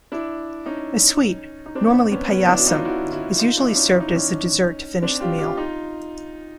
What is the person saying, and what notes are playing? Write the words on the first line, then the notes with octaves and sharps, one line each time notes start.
A sweet, normally "Paayasam" is usually served as a dessert to finish the meal.
D4 E4
C#4 D#4
D#4
C4 D4
C4
B3 C#4
B3 C#4
D4 E4
F#4
D#4 F4
E4 F#4
E4 F#4
D#4 F4
D4 E4
C#4 D#4
E4
D#4
D4
C#4 D#4
C4 D4
F4 G4
F4 G4
D#4 F4